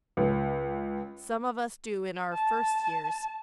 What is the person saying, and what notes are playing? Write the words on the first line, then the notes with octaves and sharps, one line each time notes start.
'Some of us do in our first years.
C#2
A5